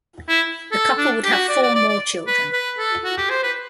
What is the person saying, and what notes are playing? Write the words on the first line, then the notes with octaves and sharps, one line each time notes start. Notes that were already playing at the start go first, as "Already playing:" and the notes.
The couple would have four more children.
E4
A4
D4
G4
F#4
D5
D5
D5
D5
B4
B4
A4
F#4
G4
C5
B4